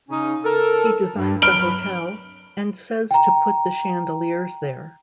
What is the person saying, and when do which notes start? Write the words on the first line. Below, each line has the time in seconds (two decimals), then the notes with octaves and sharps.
He designs the hotel and says to put the chandeliers there.
0.09 C#3 C#4 D#4
0.44 A4 A#4
1.16 G2
1.42 F#3 B4 F6 D7 G7
3.11 G5 A#5